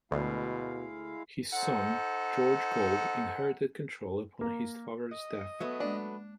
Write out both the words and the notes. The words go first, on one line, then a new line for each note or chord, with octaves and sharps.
His son George Gould inherited control upon his father's death.
D2 B2 G#3 E4 F5
D#4 A4 C5 F#5
A#3
D#5
F#3 A3 B3
G#3 A#3 D4